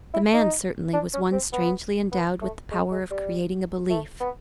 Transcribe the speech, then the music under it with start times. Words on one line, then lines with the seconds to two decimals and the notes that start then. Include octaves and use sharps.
The man, certainly, was one strangely endowed with the power of creating a belief.
0.14 E4
0.33 D#4
0.93 D4
1.13 C#4
1.32 C4
1.53 B3
2.12 B3
2.42 A3
2.71 G#3
2.91 G#3
3.11 G3
3.90 A3
4.20 B3